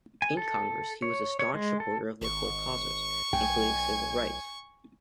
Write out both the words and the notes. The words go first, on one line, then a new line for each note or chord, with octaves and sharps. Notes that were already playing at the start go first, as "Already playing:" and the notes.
In Congress, he was a staunch supporter of liberal causes, including civil rights.
G#5
A4
C#5
C#5
G#3
A4
G#1 C#6
B1 G5 G#5 G#6